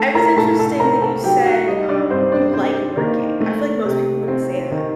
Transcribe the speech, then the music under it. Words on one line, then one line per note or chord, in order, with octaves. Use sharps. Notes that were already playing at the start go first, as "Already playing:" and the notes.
I was interesting that you said, um, you like working. I feel like most people wouldn't say that.
Already playing: A3 A4 A5
A#4 A#5
A2 A4 A5
A4 A5
C4 A#4 A#5
A4 A5
F#3 G4 G5
F#4 F#5
G3 D#4 D#5
D4 D5
G2 C4 C5
D4 D5
C4 C5
D#3 A#3 A#4
A3
C3
C4
D#3